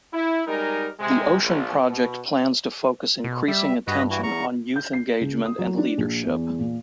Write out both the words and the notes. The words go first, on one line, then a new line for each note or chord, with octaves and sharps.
The Ocean Project plans to focus increasing attention on youth engagement and -leadership.
E4
G3 G#3 D#4 A#4
C3 G#3
A#1
B2
B2
G3 E5
G2 F#4 B4 D#5
E3 E4 F#4
E2 A#5 C#6
G6
C7
C#2
D#6
F#3
D4
A#1
E2
A#2